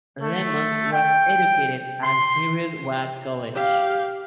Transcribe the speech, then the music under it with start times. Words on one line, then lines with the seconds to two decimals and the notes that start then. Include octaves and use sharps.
Lemon was educated at Heriot-Watt College.
0.21 A3
0.92 G5
2.03 C6
3.55 G4 F5